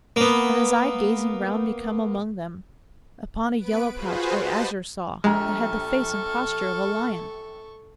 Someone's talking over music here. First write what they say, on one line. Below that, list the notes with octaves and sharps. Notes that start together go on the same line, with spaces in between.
And as I gazing round me come among them, Upon a yellow pouch I azure saw That had the face and posture of a lion.
A#3 B3
B3 B4 D7
F4 F#4 G#4 B4 C5
G4 B4 C5 D#5 F#5 A5
A#1 G#3 G4 A4 A#5 C#6 F6